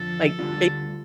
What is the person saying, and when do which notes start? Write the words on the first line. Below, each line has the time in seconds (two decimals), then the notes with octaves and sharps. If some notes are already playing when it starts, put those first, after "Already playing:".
like, they
Already playing: F2 D3 F3 A4
0.39 D2 D3 G3 D4 F4